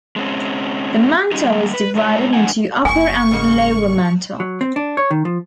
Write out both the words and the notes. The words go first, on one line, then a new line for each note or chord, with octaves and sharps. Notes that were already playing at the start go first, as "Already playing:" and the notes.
The mantle is divided into upper and lower mantle.
G#3 C4 C#4
G3 G#3 C#4 D#4 G4 G#4
G3 A#3
B4
G#3 A3 C#5
G2 E3 F3 D4 F#5 G#5
F#1 E4 G#5 C#6
G#2 C#3 A#3
F#3
C4
D4
C#5
D#3
F3